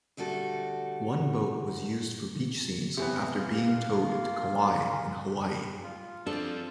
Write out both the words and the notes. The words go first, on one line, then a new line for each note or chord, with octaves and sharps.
One boat was used for beach scenes after being towed to Kauai in Hawaii.
D2 G3 A3 F#4 A4
C3 E3 B3
A#3 F4
F4
F3 C4 D4 A4